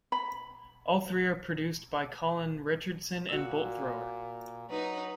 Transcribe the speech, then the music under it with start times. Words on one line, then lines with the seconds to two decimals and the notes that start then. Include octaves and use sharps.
All three are produced by Colin Richardson and Bolt Thrower.
0.12 B5
3.29 A#2 F#4 E6
4.70 F#3 D#4 B4